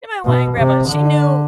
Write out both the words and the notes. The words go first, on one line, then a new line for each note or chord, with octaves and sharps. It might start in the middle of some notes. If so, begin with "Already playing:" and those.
and my Hawaiian grandma, she knew
B2
C3
D3